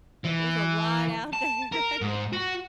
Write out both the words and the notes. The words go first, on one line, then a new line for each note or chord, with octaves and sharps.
There's a lot out there, yeah.
E3
A5
A#4
G#2
F#4